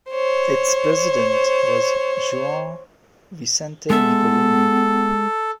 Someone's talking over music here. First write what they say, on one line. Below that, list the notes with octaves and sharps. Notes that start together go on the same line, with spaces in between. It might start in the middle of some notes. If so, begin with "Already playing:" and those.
Its president was Juan Vicente Nicolini.
C5 C#5
G#3 B3 A4 E5